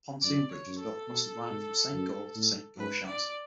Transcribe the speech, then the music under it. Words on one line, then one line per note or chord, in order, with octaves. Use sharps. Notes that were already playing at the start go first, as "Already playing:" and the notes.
A pontoon bridge was built across the Rhine from Saint Goar to Saint Goarshausen.
F#2 D5
C#5
F#2
A4
B2
G#2
F#2
A2
G#2 B4
D5